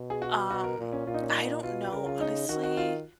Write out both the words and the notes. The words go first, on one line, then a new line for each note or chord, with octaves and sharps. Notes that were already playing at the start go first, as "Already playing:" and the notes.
um, I don't know. Honestly,
Already playing: B2
G#4
F#4
B2 F#4
A#4
A#2
C#4
A#2 F4
D#4
C#4
D#4
B2 F4
B4
C#3 A#4
F4
D#4
D#3 F#4
F#4
F4